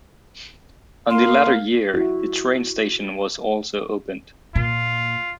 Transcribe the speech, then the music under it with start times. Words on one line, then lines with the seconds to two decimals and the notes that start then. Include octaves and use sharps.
On the latter year the train station was also opened.
1.10 A#3 F5 C6
1.94 E4 F#4
4.55 A#2 F4